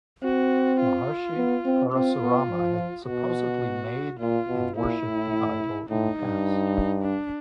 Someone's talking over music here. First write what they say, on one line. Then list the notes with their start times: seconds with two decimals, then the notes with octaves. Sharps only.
Maharshi Parasurama had supposedly made and worshipped the idol in past.
0.23 C4 F#4
0.80 F4
1.37 B3
1.65 C4
1.93 C4 F4
2.22 B3
2.50 F3
3.07 B2 F#4
4.19 A#2 F4
4.48 B2
4.76 A#2 E4
5.05 A2
5.90 A2 D#4
6.18 G2
7.03 D4